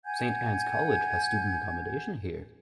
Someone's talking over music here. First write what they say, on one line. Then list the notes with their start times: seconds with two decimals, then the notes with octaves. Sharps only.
Saint Anne's College has student accommodation here.
0.04 F#5 G#5 G6 G#6